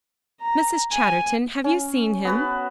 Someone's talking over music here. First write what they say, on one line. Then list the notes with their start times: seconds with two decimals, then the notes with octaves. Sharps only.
"Mrs. Chatterton, have you seen him?"
0.42 A#5
0.93 G#5
1.64 C#4
2.25 B3 F#4 B4